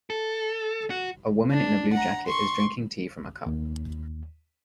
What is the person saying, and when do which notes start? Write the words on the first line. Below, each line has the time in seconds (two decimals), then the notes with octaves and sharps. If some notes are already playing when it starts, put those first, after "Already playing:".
A woman in a blue jacket is drinking tea from a cup.
0.10 A4
0.90 F#4
1.51 D4
1.93 F#5 A#5
2.27 C6 C#6
3.46 D#2